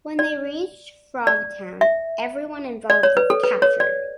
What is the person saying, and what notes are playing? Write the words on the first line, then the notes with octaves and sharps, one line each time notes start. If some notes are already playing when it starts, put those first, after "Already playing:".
When they reach Frogtown, everyone involved is captured.
D5
D5
E5
D5
C#5
B4
A4
B4
C#5
D5